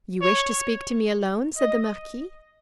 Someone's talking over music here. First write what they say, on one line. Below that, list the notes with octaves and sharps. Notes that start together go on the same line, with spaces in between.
"You wish to speak to me alone?" said the marquis.
C#5
D#5